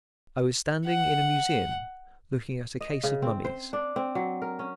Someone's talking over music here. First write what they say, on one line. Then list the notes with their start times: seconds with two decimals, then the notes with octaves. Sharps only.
I was standing in a museum looking at a case of mummies.
0.86 F#5
2.81 D#5
3.03 C#3
3.22 C4
3.45 C5
3.73 D4
3.96 C4
4.15 F#3
4.42 A#4
4.59 C#4